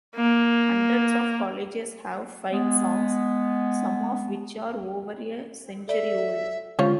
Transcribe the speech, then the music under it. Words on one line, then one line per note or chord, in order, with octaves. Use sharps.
Hundreds of colleges have fight songs, some of which are over a century old.
A#3
G#3 B3
A4 D5 E5
D3 F3 G#3 C#4 F4 C#5